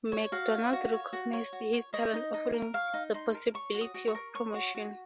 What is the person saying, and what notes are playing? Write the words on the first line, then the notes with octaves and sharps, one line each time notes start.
MacDonald recognised his talent offering the possibility of promotion.
C#5
F#4 F5
C#5
F#4
C#5
F#4
C#5
F#4
C#5
C#5 D#5
D#4
D#4
A#4
C#5 F5
D#4
D#4 C6
A#4
C#5 C#6
F#4
D#6
F#4
C#6
A#4
C#5 C#6
F#4
F#4